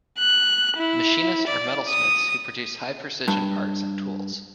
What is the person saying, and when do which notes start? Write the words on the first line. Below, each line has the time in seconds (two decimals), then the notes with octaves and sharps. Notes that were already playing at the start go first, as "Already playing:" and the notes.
Machinists are metalsmiths who produce high-precision parts and tools.
0.19 F#6
0.77 E4
1.48 D5
1.90 D#6
3.28 G2